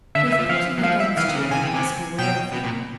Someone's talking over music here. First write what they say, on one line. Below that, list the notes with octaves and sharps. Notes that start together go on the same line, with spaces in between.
He is plotting against you, and you must beware of him.
D3 E5
E3
E5
F3
F3 F5
F#3
F3 F5
E5
E3 F5
D#3
C3
C#3
C3 G#5
C#3 G5
C3 G#5
B2 G5
B2
A#2